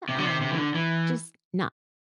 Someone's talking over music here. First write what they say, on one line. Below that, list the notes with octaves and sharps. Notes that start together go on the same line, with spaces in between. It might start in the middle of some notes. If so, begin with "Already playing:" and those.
eh, um, just not
C3
D3
C3
C3
E3
D3
E3